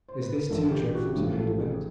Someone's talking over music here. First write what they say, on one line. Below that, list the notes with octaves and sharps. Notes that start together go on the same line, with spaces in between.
Is this too dreadful to read about?
C5
B4
A#4
A1 G2 D3 A4
G#4
G4
F#4
A1 G#2 F3 A3 C#4 G4
A4
G#4